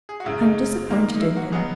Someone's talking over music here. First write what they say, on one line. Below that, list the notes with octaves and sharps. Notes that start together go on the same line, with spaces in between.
I am disappointed in him.'
G#4
F#4
F#2 C#3 G#3 E4
D#4
G#2 D#3 A#3 D#4
D#4
E4
F#4
C#3 F#3 B3 D#4 G#4